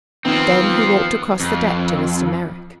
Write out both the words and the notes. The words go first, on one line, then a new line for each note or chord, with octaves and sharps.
Then he walked across the deck to Mr. Merrick.
D#3 F3 B3 C4
F2